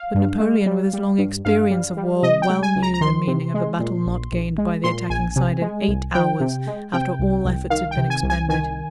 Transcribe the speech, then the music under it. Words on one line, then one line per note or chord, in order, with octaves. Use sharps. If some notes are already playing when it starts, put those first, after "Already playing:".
But Napoleon with his long experience of war well knew the meaning of a battle not gained by the attacking side in eight hours, after all efforts had been expended.
Already playing: F5
G2
G#3
G3
G3
G2
G2 F5
G3
G3
C3 D#5
G5
G#3
G#5
C#2
A#5
A#5
D#3 C6
C3
G#3
A#2
A#1
A#1
G#3
A#2 C6
A#1 G#5
C3
G#3
C2
F3 G5
C3
G#3
C3 G5
C2
C2
D#3 F5
G5
C3
G#5
C2
G#5
D#3 G#5